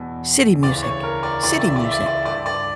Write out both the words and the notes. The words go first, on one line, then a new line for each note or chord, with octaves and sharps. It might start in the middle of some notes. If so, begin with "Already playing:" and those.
City music. City music.
Already playing: E2 B2
D2 C#3 E3 D5
C#5
A#4
D5
C#2 C#3 E3 D5
E5
D5
E5
D5
E5
D5
E5
D5
G2 D3 D5
D5